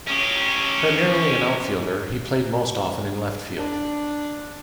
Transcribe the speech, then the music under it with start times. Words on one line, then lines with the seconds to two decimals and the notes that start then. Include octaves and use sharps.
Primarily an outfielder, he played most often in left field.
0.07 C#4 G4
3.60 D4